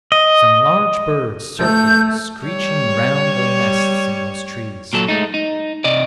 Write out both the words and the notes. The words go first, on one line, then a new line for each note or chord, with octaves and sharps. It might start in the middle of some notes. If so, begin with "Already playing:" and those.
Some large birds circled screeching round their nests in those trees.
D#5
A3 G6
G3 C#5
A#2 F#3 A4
G#3 A3 D#4
D#4
C3 D5 D#5